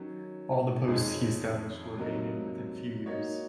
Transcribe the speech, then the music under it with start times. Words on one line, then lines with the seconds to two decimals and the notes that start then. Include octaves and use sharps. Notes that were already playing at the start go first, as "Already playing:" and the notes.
All the posts he established were abandoned within a few years.
Already playing: D#3 F#3 C#4
0.87 F2 D#3 G#3 C#4 G#4
1.98 C3 F#3 A#3 D#4 A#4
3.06 A#3 D#4 F#4 C#5